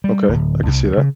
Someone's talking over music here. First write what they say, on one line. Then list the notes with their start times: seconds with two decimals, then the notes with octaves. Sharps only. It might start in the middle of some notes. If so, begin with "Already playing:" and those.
Okay, I could see that.
0.04 G3
0.29 D1
0.67 C2
0.83 D2
0.97 C#3